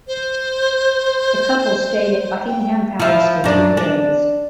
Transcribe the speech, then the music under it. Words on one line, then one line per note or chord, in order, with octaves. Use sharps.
The couple stayed at Buckingham Palace for three days.
C5
G5
F3 E4
F#2 D4
D4